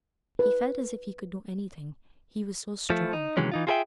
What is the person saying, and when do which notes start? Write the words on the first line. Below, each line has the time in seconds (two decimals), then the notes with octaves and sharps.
He felt as if he could do anything, he was so strong.
0.39 B4
2.90 F3 A3
3.13 D#4
3.37 C3 D#3 E3 F#3 G#3 C#4
3.52 E3 D#4 F4
3.67 F4 F#4 G#4 A#4 E5 G5